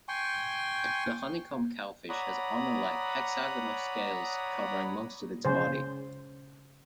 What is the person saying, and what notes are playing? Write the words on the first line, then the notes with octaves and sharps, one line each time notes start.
The honeycomb cowfish has armor-like, hexagonal scales covering most of its body.
G5 G#5 C6 C#6
C#5 D5 F#5 A#5 B5 D#6
C#3 C5